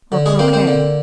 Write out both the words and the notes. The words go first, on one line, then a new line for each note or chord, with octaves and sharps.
Or croquet?
D3
G#3 G#4
A#3 C4 C5
C4 C5
D3